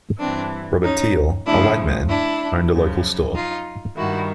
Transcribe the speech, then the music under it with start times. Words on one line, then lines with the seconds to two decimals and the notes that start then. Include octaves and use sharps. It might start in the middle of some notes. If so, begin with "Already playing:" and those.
Robert Teel, a white man, owned a local store.
0.20 G2 E3 C4 D4
0.83 C#4 D#4
1.46 D2 C#3 F3 D4 E4
2.09 D4 E4
2.72 F#2 C#3 F3
3.35 D#4 F4
3.97 G2 D#3 E4 F#4